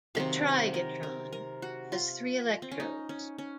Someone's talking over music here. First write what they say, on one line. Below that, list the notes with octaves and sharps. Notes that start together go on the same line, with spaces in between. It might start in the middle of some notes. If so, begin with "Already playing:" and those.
A trigatron has three electrodes.
C3 D#3 F#3 C4 F5
A#4
A#4
A#4
F#4
F4
C4
C#4
D#4
C#4
C#4